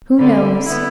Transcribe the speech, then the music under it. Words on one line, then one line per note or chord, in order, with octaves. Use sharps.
"Who knows?"
D3 G3
B3 E4